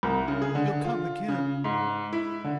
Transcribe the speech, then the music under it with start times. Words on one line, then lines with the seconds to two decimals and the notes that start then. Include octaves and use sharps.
"You'll come again?"
0.03 C2
0.28 C#3
0.42 G#4
0.55 D3
0.85 F4
1.28 C#3
1.64 G#2
2.13 E4
2.44 D3